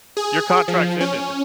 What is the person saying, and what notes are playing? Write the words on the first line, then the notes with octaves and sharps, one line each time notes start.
your contract's ended.
G#4
F3
C#4